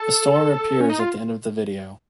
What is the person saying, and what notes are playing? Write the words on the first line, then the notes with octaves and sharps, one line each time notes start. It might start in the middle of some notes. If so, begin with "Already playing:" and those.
A storm appears at the end of the video.
Already playing: A4
C#4
D#4
F4